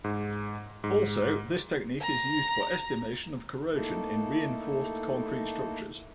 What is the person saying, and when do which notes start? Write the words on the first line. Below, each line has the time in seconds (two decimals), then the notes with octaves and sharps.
Also, this technique is used for estimation of corrosion in reinforced concrete structures.
0.04 G#2
0.84 G#2
2.01 A#5
3.74 A3 A#3 D#4 E4 A4